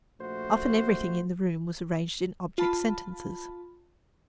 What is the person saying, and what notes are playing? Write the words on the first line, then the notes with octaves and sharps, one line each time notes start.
Often everything in the room was arranged in object sentences.
A#1 A3 F#4 C5
F4 A5 B5